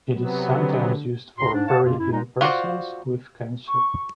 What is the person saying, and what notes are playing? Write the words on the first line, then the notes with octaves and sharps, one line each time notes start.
It is sometimes used for very ill persons with cancer.
C3 F#3 B3
D3
D2 A2 F#4 A#5 C6
G#2 D4
C#5 F5 F#5 A5
F#2 B2 A#3 F4
F#2 E4
G#3 D#4
F4 F#4 A#4 C5 D5
C#6